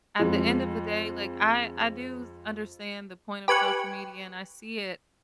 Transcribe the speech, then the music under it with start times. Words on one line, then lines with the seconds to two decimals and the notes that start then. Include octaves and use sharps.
at the end of the day, like, I I do s understand the point of social media, and I see it.
0.20 F2 G#3
3.48 G4 B4 G#5 C#6 F#6